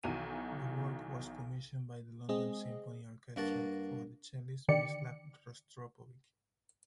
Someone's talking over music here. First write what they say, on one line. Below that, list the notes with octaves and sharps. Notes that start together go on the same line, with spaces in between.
The work was commissioned by the London Symphony Orchestra for the cellist Mstislav Rostropovich.
B1 D#3 E3 F#4 D#7
G#3 C4 G#4 D#5
G2 A#3 F#4 A5
D3 D#3 G4 D5 C#7